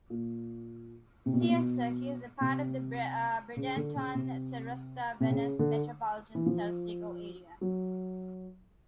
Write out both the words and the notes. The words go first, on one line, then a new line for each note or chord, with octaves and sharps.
Siesta Key is part of the Bradenton-Sarasota-Venice Metropolitan Statistical Area.
A#2
C3
B2
A#2
B2
C3
C#3
D3
C#3
C3
C3
C#3
D3
E3
F3
F#3